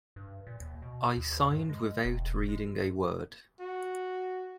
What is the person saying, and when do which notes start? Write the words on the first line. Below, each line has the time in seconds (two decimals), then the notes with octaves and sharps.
I signed without reading a word.
0.16 G2
0.47 A#2
0.60 D#2
0.82 B2
1.17 D#2
1.50 G2
1.69 G#3
2.05 E1
2.49 G#3
3.61 F#4